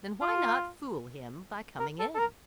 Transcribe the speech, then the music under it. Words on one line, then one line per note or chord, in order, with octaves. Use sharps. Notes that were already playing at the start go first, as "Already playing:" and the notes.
"Then why not fool him by coming in?"
F4
A#4
A4
A4
A#4